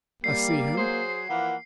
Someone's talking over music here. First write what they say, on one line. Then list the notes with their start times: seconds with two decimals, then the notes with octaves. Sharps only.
I see him!'
0.24 G3 A#3 C7
0.77 F#3 G#4 C5
1.29 E3 F3 A#3 F#5